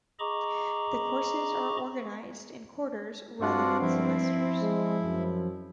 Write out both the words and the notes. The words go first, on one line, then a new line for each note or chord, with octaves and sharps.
The courses are organized in quarters rather than semesters.
G#4 D#5 A#5 B5 C#6 D6
G2 C4 D4 F4 F#4
F3 E4
G#3
F#2